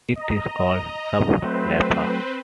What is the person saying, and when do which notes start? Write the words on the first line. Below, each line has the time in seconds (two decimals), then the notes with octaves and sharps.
It is called Sub Leffa.
0.16 D#5 A#5
1.42 F#3 A3 C4 B4 C5